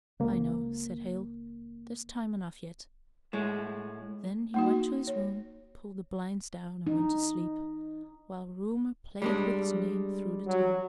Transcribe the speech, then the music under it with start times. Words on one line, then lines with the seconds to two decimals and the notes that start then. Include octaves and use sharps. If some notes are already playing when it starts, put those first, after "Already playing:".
"I know," said Hale, "there's time enough yet." Then he went to his room, pulled the blinds down and went to sleep, while rumour played with his name through the town.
0.20 C#2 A#3
3.33 A2 G#3
4.54 A#3 D#4 F#4
5.07 C#5
6.87 D#4
9.22 G3 G#3 D4
10.47 F#3